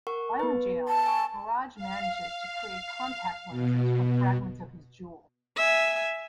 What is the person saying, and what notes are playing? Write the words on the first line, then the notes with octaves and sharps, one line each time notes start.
While in jail, Mirage manages to create contact lenses from fragments of his jewel.
A#4 F#5 C#6
B3 B4
A5
G#5 C#6
F5
B2
E5 G#5